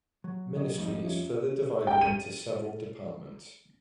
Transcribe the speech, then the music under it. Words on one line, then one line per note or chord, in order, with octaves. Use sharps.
Ministry is further divided into several departments.
F#3
C3 F#3 D#5
G#1 F2 G3 D#4
F3 C#4 E5
G5
D#7